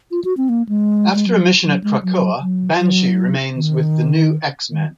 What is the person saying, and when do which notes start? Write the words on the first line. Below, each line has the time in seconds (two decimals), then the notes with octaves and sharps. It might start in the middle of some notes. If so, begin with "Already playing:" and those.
After a mission at Krakoa, Banshee remains with the "New X-Men".
0.11 F4
0.25 F#4
0.37 C4
0.49 A#3
0.69 G#3
1.15 G#3
1.27 F#3
1.64 F#3
1.84 G#3
2.03 F#3
2.41 F#3
2.79 F#3
3.55 D#3
4.71 D#3